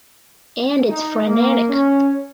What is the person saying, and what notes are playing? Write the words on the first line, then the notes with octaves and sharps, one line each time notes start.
And it’s frenetic.
D#4
A#3
C#4